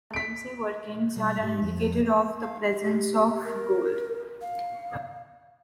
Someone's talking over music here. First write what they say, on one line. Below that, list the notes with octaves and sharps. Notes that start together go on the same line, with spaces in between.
Galamsey workings are an indicator of the presence of gold.
B6 D7
B2 G3
G#2 G4
F2 F3
A3
F5
G4
A#4
F5